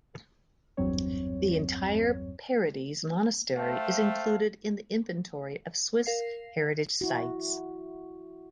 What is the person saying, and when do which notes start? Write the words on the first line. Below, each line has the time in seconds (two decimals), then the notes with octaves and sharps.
The entire "Paradies" monastery is included in the Inventory of Swiss Heritage Sites.
0.77 G#1 E2 G2 F#3 C4 C#5
3.57 A3 C5 E5 F5 G5 A5
6.06 A#4 F5 C7
7.01 E4 F#4